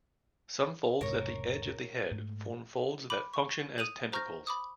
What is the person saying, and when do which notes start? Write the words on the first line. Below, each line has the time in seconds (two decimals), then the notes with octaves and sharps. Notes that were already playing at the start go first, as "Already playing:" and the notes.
Some folds at the edge of the head form folds that function as tentacles.
1.01 E1 G#2 C3 A#4 C#5
2.11 G#2 A3
3.10 B5 D6 F#7
3.34 C#6
3.78 D#6 D#7 F7 F#7
4.12 C5 A#5 C#6 F6 G6 A#6
4.47 B5 D6 D#6